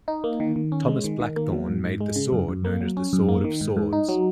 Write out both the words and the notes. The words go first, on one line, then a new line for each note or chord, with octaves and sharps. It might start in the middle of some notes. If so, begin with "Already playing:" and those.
Thomas Blackthorne made the sword known as "The Sword of Swords".
D#4
A#3
D#3
D#3
C#4
G#3
D#3
D#3
A#3
F#3
G#2
G#2
G#3
C#3
F#2
F#2
A#3
F#3
C#4
F#2
A#3
D#3
G#2
G#2
D#4
F#3